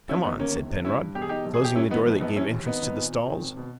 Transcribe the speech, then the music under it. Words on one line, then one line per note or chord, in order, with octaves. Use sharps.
"Come on," said Penrod, closing the door that gave entrance to the stalls.
E1 C#4 E4
G1 B3 D#4
D#3 A#3 C#4
G1
G1
G2 C#4 E4
G2
E1 G4
G#4
E1 D#4 G4
A#1
G#4
A#1 G4
G2 C#4 E4
D#3 B3 D#4
A#1 B3
A#1 B3 D#4
E3 C#4 E4
D#2
G#1 B3 D#4
G#1
A#2
A#2
D#3
G#1
B2